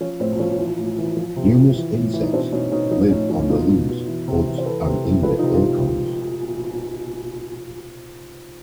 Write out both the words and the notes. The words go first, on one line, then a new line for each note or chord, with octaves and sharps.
Numerous insects live on the leaves, buds, and in the acorns.
F3 C#4
A2 C4
F3 C#4
E3
A2
E3
F3
C3
F3
E3
A2
E3
D#4
B2 C4 D4
B2 C#4 D#4
B2 C#4 D#4
F3 C#4 D#4
A2 C#4 D#4
F3 C#4 D#4
B2 D#4 F4
B2
B2
E3
C3
E3
C5
E3 A4 B4
C3
E3
F3 A4 B4
D#4 F4
C3
F4 G4
F3